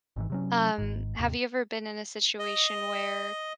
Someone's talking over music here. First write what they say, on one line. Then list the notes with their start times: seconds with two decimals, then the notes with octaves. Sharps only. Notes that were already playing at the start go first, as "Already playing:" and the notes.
Um, have you ever been in a situation where,
0.16 G#1 G#2 E3
0.30 C3 F#3 C#4
0.78 G#1 G#2
1.19 D#2 G#2 C3
2.39 D#5